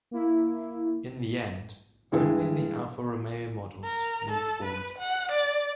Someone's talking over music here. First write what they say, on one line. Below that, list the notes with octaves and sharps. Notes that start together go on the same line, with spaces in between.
In the end, only the Alfa Romeo models moved forward.
A#3 E4
G2 E3 G#3
A#4
A4
B4
F#5
D5